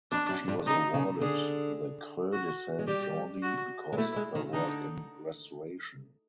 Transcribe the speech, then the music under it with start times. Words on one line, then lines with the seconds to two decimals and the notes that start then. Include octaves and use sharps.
She was awarded the Creu de Sant Jordi because of her work in restoration.
0.11 F2 D4
0.29 F#2
0.48 G2
0.66 C#3 D#4
0.94 C#3
1.21 D3 G#4
2.33 F#4
2.79 G#3
2.87 G3 G4
3.42 F#4
3.92 G#3
3.97 A3 E4
4.16 G#3
4.35 D#3
4.53 D3 D#4